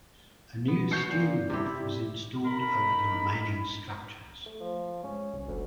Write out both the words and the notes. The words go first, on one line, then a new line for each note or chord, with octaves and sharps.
A new steel roof was installed over the remaining structures.
B3
F#4 G6 C7 C#7
A#2
C3 G3 E4 G4
D#4 A#4 B5
A3
F3
G#2 C#4
C2
F#1 D2